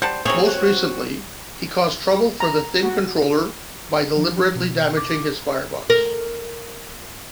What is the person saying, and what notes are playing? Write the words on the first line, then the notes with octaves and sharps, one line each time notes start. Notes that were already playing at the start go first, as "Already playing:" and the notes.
Most recently, he caused trouble for the Thin Controller by deliberately damaging his firebox.
G3 C5 F#5 A5
F#3 C4 G#4 C#5 F5
F#4
A#5
F#4
F3
B2
D6
A#4